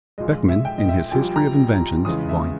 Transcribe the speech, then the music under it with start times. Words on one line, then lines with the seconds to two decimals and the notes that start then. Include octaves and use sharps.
Beckmann, in his History of Inventions, Vol.
0.18 A#1 A#2 G#3 D#5
0.49 E5
0.65 G5
0.78 D#5
0.89 E5
1.11 A#1 A#2 G3 G5
1.36 A#5
2.05 E2 C#3 G#3 D#6
2.29 E5